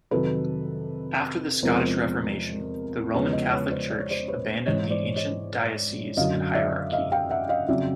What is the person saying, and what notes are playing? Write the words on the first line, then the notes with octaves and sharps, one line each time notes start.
After the Scottish Reformation, the Roman Catholic Church abandoned the ancient dioceses and hierarchy.
F2 C3 D#3 F#3 A4 B4
E2 C3 F3 G#3 A#4 C5
E2 C#3 F3 G#3 B4 C#5
C#5 D#5
B4 C#5
C5 D5
D5
C#5
C5 D5
B4 C#5
G#2 E3 G#3 C#5 D#5
C5 D5
C#5 D#5
F#2 D3 F#3 D#5 F5
D5 E5
D#5 F5
F5 G5
E5 F#5
D#5 F5
F2 C#3 F#3 D5 E5